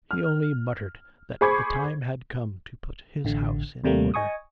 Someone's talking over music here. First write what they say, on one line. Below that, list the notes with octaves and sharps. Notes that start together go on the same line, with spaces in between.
He only muttered that the time had come to put his house in order.
F6
G#4 C5 B5 C#6 D6 G#6
A1 D3
D#2 C3 G3 A3 A#3
D#5 G#5 C#6 D#6